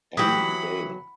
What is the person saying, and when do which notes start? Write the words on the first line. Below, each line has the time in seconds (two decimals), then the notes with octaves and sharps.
Ann Dale.
0.17 E3 F#3 E4 G4 B4 F#5 B5 D#6